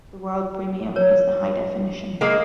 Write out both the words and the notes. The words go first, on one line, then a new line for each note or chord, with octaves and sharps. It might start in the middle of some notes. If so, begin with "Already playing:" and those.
The World Premium is the high definition.
A#4 C#5
G#3 A#3